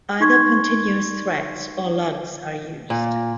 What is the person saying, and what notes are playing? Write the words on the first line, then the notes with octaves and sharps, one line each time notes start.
Either continuous threads or lugs are used.
D#4 C6 C#6 G#6
A#2